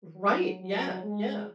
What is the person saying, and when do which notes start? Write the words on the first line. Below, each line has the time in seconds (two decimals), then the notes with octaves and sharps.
Right, yeah, yeah.
0.16 F#3
0.60 F#3
1.03 G#3